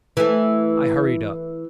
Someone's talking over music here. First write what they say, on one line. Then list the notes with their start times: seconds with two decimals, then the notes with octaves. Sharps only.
I hurried up.
0.17 E3 A3